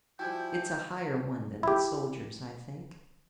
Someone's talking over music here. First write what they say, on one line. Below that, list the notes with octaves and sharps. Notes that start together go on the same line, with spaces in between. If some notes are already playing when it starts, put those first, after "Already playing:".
It's a higher one than the soldier's, I think.
F3 G3 E4 F#4 G5 G#5 G6
E4 G4